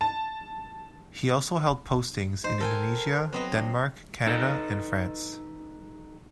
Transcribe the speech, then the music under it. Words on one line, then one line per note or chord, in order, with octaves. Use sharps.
He also held postings in Indonesia, Denmark, Canada and France.
A5
D#4 C5
A4 A#4 G5 G#5
F#3 B3 C4 D#5
D4
D#4 A4 B4 D#5